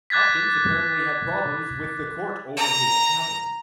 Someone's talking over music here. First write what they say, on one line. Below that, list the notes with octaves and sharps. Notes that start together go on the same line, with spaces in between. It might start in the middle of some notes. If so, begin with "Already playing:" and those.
Hopkins apparently had problems with the Court over his tavern.
D6 F#6 G#6 A6 B6
A#5